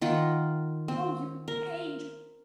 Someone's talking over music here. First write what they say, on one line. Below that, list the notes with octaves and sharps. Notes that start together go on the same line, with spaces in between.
Oh, you angel!
D#3 F4 F#5 G5
C4
A#4